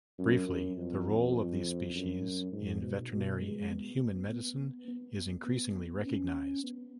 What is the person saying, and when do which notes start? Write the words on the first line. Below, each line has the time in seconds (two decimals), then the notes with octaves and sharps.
Briefly, the role of these species in veterinary and human medicine is increasingly recognised.
0.18 F#2
0.47 F#2
0.77 F2
1.36 F2
1.95 F#2
2.52 G#2
2.82 B2
3.12 B2
3.41 G#3
3.71 B3
4.30 B3
4.88 B3
5.46 B3
6.06 C#4
6.64 B3